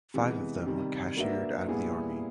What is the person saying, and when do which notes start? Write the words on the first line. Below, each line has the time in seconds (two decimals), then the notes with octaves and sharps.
Five of them were cashiered out of the army.
0.14 C3 E3 G#3 B3
0.65 C3 D#3 G3
1.17 A#3 D4 F#4 B4 E5
1.67 A#2 G3 B3 E4 G#4